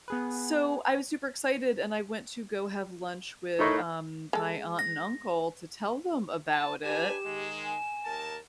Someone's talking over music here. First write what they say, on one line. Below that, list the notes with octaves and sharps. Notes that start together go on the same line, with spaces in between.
So, I was super excited and I went to go have lunch with, um, my aunt and uncle to tell them about it,
B3 G#4 B4
A2 D#3 A3 D#4 C#6
G#3 A4
A#6
A5
D4 G4 B4 G#5 E7
D#3 G#3
G#5
D#2 A#4 A5